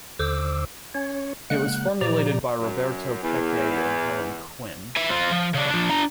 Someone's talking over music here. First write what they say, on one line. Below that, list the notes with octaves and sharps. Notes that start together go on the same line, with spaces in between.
It was formulated by Roberto Peccei and Helen Quinn.
D#2 D3 C5 D6 E6
C#4 C#5
C#3 G#3 A#3 F#5 F#6
A#2 F3 G4 D5 A#5
F#2
E2
E5 G#5
C4 F4
F3
C#3 D4
F3 D4
D4 A#5